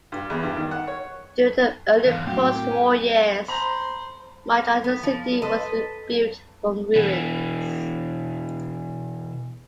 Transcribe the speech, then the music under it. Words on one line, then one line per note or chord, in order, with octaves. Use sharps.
During the early post-war years much of the city was rebuilt from ruins.
G2
E2
G2
D#3
F#5
C#5
E2 G#2 F5
A2 F#3 C4 G4
A#4
G#5
C5 A#5 B5
B3
F3
A4 B4 C5 D#5
B2 E3